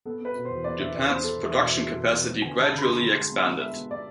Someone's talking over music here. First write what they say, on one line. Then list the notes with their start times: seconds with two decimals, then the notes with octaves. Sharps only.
Japan's production capacity gradually expanded.
0.05 B3 A4
0.20 B3 B4
0.35 B2
0.45 E2 C5
0.64 B3 D5
0.79 E2 E5
0.95 E2 D5
1.09 B3 C5
1.24 B3 A4
1.39 E2 E5
1.54 B2
1.63 E2 E5
1.83 B2 E5
1.98 E2
2.12 B2
2.28 B3
2.42 D3 G#5
2.57 D3 A5
2.72 D3
2.78 B5
2.82 G#3 C6
3.02 D3
3.16 G#3
3.32 B3
3.46 B3
3.60 G#3 E5
3.76 B3
3.90 B3 D5